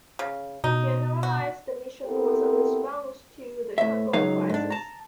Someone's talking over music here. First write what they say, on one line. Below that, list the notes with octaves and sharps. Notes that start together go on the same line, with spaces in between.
To generalise, the mission was a response to the Congo Crisis.
C#3
B2 D#4
F#4
B3 C4 E4 G4 A4 A#4
A2 E5
C#2 F#3 D#4 G#4 C#5 F5
G#2 D4
A5 A#5